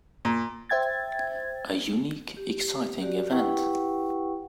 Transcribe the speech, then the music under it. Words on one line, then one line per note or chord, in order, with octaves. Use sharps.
A unique, exciting event.
A#2
C5 E5 G5 G#6 A6
G4
F#4 G4 D5
E4 G4 B4 F#5 G5 C#6